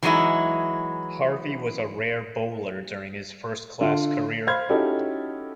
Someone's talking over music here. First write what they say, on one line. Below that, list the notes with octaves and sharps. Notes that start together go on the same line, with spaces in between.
Harvey was a rare bowler during his first-class career.
E3 F#3 G#3 D#4 E4
D3 F4
C5 F5 B5 C6 F6 G#6
C#4 D#4 E4 F#4 G4 A4